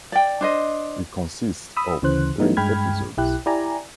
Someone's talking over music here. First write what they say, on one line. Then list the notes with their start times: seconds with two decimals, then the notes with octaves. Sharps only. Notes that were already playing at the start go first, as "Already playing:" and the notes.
It consists of three episodes.
0.12 D5 G5
0.41 D4 C5 D#5
1.76 B5 D#6 E6
2.02 D2 C#3 E3 C5 F#6
2.40 E3 F#3 A3 B3 D#4
2.57 G2 G#3 G5 B5 F6 G#6
3.17 B1 E4 G4 F#6
3.46 E4 G4 D5 G#5 A#5